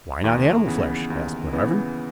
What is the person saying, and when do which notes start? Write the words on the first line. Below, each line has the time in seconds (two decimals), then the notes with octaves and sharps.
"Why not animal flesh?" asked Glenarvan.
0.24 D#2
0.67 C#3 E3 B3
1.10 D#2
1.53 C#3 E3 B3